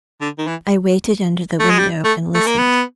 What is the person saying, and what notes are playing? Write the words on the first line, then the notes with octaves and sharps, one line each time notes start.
I waited under the window and listened.
D3
D#3
E3
A3
G#3
G3
A3
A3
A#3
B3